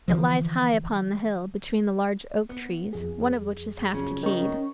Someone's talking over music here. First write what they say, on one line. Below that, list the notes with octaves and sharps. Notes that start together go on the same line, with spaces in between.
It lies high upon the hill, between the large oak-trees, one of which is half decayed.
D3 E3 F3
B3
F2 G#4
C#3 F3 F#3
D#3 C#4 C#6